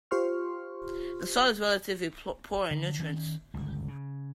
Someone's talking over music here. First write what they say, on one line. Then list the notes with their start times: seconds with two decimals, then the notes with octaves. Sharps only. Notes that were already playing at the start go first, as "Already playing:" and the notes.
The soil is relatively poor in nutrients.
0.11 F4 G4 C5 C6 C#6 F6
2.71 D3
3.00 D#3 C#4
3.54 G1 C#2
3.88 C#3